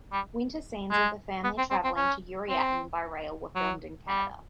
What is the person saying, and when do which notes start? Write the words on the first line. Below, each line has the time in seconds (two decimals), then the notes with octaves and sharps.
Winter scenes of the family traveling to Yuriatin by rail were filmed in Canada.
0.12 G3
0.91 G#3
1.44 B3
1.58 C4
1.70 C4
1.84 C4
1.96 C#4
2.50 C4
3.55 F#3
4.08 G3